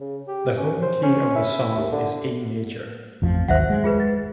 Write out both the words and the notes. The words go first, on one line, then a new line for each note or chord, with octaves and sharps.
The home key of the song is A-major.
C#3
G4
C#4
C5
C#4
E4
D#2
D3
A1 F2 F3
G#1 D#2 F#3 C5 E5 F#5
G#3
F4 G#4 B4
A6